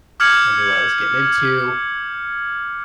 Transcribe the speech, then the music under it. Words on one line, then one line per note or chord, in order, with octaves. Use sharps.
I knew what I was getting into.
D6 F6 G6 G#6 C#7 F#7